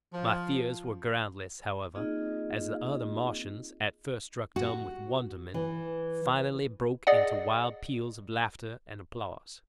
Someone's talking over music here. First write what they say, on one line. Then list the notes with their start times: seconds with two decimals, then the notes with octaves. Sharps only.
My fears were groundless, however, as the other Martians, at first struck dumb with wonderment, finally broke into wild peals of laughter and applause.
0.14 F3
1.94 A#3 C4 D#4 F4 G#4 D#5
4.56 F#4
5.54 E3
7.07 G#4 D5 D#5 F#5